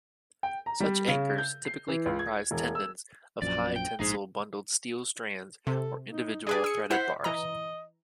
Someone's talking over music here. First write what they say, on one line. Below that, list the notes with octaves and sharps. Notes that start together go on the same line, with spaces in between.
Such anchors typically comprise tendons of high-tensile bundled steel strands or individual threaded bars.
G5
A#5
G3
C#3
G6
C7
E3
C#2
G#6
E1
E6
A#1 F#2 F3 D5
G5
A#1 G#2 D#4 G#4
C3 A4
D#4
D4 G#4 B4 D5
E6 C#7
E4 C5 F#5 B6
E3 D#5 A#5